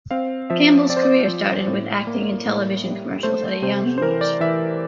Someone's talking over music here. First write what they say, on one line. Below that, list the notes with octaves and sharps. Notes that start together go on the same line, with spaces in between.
Campbell's career started with acting in television commercials at a young age.
C4 F5
F3 E5
C4 D5
C5
D5
F3
A2
A#3
A2
G3
A3 C5
C3 C5
C5
E3 A#4
D5
E3 E5